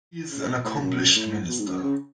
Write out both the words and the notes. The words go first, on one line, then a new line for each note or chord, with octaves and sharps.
He is an accomplished minister.
C#3
B2
A2
F#2
F#2
A2
B2
G#2
F#2
C#3